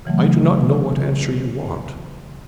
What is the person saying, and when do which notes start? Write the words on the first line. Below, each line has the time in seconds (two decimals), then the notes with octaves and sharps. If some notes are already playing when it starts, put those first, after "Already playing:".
'I do not know what answer you want.
0.05 C#3 E3 F#3 A3